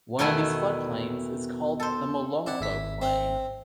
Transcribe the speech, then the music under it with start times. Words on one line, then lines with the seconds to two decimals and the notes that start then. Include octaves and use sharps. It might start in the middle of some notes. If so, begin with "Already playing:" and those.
One of these floodplains is called the Molonglo Plain.
0.19 E2 B2 D#3 A3 E4 G#5
1.80 A4 C5
2.46 C4 E4 D5 F#5
2.61 G#1 E5 B6
3.02 C4